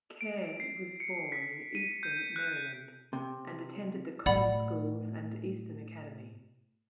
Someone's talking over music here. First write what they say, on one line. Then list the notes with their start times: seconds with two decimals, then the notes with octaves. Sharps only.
Kerr was born in Easton, Maryland, and attended the common schools and Easton Academy.
0.21 D7
0.60 C7
1.00 C#7
1.32 B6
1.75 D#7
2.03 G6
2.36 F#6
3.13 C3
4.26 A2 D5 F#5 B5